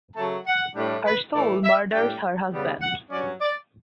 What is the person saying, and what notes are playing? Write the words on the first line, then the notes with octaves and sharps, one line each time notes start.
Her soul murders her husband.
C#3 F#3 A3 A5
F#5
A2 G3 D4
B4
A2 E3 A3 D5
E5
A2 G3 D4 G5
C#3 G3 B3
F#5
G2 F#3 C#4 D5
D5